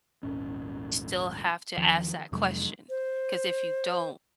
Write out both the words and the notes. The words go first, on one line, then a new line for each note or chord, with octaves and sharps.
still have to ask that question, 'cause if you don't,
D#1 G#1 C#4
E2 D#3 F3
F2 C3 F#3 G#3
C5